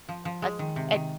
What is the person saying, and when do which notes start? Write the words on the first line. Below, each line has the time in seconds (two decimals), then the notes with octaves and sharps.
that's eh
0.09 F3
0.25 F3
0.42 G#3
0.59 D#3
0.76 C3
0.93 D#3